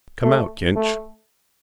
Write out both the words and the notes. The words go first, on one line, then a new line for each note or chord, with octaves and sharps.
Come out, Kinch.
A3
A3